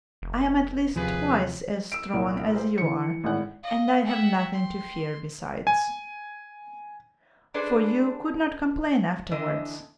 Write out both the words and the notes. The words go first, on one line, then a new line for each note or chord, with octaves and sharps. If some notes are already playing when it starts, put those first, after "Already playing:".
I am at least twice as strong as you are and I have nothing to fear, besides. For you could not complain afterwards.
F1
D#2 C3 F3 G#4 B4
E6 D7
C2 A#2
C5
E3 C#7
G#1 A2 F#5
D#5 F5
E5 F#5 G5
C6
G#5
D4 G#4 A4 B4 C5 D5
D3 E3 D#5